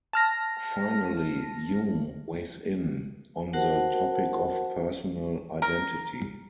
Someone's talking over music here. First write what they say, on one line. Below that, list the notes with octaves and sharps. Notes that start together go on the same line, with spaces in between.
Finally, Hume weighs in on the topic of personal identity.
A5 F6 A#6
F#4 A#4 C5 F#5 A5
A#4